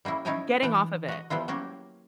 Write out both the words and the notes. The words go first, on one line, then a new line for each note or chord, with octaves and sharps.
Getting off of it.
G3 A#3 C#4 E4
C#4 D#4 E4 F5 G5 G#5
E3 D4 G5
F#4 D#5
F3 G3 B3 E4 F4
F#3 A#3 C#4 G4